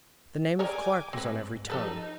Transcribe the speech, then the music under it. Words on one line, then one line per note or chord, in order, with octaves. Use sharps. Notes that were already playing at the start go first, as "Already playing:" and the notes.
The name of Clark was on every tongue.
G3 A#4 C#5 G5 G#5 D6
G#2 C4 B4
F3 D#4 G4 A4 B4